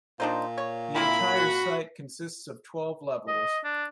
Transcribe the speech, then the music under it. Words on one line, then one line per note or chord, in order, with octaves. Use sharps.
The entire site consists of twelve levels.
A#2 D4 D#4 C5
C#5
C3 A#3 E4 B5
F#4
D#5
D4